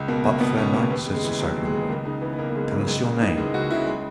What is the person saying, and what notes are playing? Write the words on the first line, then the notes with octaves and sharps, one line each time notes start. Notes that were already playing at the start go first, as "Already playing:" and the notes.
But, fair knight, said Sir Sagramore, tell us your name.
Already playing: C#2
B2 A#3
C#2 A#3
B2 B3
C#2 C#4
B2 A#3
D#2 B3
C#3
G#3
E3
D#2 F#3
D#2
G#3
C#3
C#2 A#3
C#3 D#4
E3 B3
B3
C#2 A#3
A#3
C#2 G#3
C#3 F#3
C#2 G#3
C#3 A#3
E3 D#4
C#2 G#3
C#2 F#4
C#3 E4
G#3